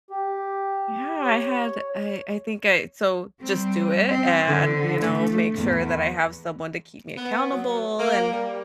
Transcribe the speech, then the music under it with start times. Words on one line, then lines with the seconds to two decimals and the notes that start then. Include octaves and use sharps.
Yeah. I had I I think I so just do it and, you know, make sure that I have someone to keep me accountable, and,
0.10 G4
1.24 C#5
3.41 G3 C4
4.09 C4
4.47 D3
5.01 A3
5.56 E2
7.17 B3
7.52 F#3
7.99 A#3
8.32 G3